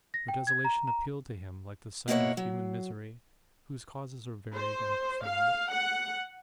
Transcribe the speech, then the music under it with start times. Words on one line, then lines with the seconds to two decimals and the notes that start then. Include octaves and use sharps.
Their desolation appealed to him like the sight of human misery, whose causes are varied and profound.
0.14 A#6
0.28 G5
0.47 G#6
0.65 A#5
0.87 A#5
2.08 B2 A#3 E4 A#4 C#5 F#5
2.37 F#3
4.55 C5
5.25 F5
5.72 F#5